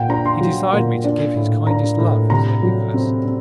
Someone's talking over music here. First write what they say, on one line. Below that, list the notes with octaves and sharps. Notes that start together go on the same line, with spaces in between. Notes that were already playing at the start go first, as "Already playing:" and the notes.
'He desired me to give his kindest love,' said Nicholas.
Already playing: A#2 F#5 G5
D4 A#5
C6
F#3
A#2
D4
A2
D4 A#5
A2
C3 A#5
F#3
C4
C4